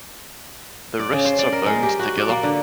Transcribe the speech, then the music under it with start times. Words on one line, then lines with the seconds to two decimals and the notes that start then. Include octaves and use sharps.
The wrists are bound together.
1.00 D5
1.13 C#3
1.25 C5
1.39 D5
1.52 A#4
1.66 G#3
1.83 G4
1.99 F#4
2.17 D5
2.29 A#3
2.43 D3